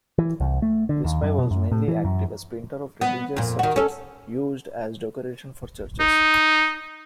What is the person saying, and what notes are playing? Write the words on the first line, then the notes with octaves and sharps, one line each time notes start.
Crespi was mainly active as painter of religious subjects used as decoration for churches.
E3
C2
A3
D3
D#2
F#2
B2
F#2
A2
E3
F#2
B3
F2 A#2
D#3 F#4
C#4 A4
D#4